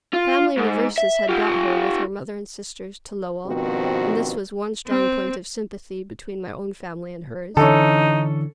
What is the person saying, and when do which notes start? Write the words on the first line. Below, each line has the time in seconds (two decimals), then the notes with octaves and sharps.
Family reverses had brought her, with her mother and sisters, to Lowell, and this was one strong point of sympathy between my own family and hers.
0.14 F4
0.58 G#2
0.98 E5
1.29 F4 G4
3.46 G2 B2 D#3 F3 C4 F#4
4.87 C4
7.57 D3 E3 C#4 D#4 A4